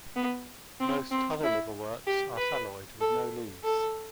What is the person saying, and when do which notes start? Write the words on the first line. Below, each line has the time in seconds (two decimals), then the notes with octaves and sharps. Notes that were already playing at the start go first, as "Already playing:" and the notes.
Most other liverworts are thalloid, with no leaves.
0.16 B3
0.80 C4
1.11 C4
1.43 E4
2.07 G4
2.37 B4
3.01 A4
3.64 A4